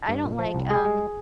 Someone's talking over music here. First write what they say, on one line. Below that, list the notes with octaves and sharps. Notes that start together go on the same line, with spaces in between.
I don't like, um,
G2
A#2
F3
C2
G#3 G#4
G#3